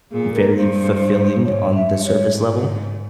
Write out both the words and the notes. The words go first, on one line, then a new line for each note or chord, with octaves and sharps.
very fulfilling on the surface level.
A#2 G#4
A#4
G2 C5
G#2 C#5
E5
G2
E5
C#5
G#2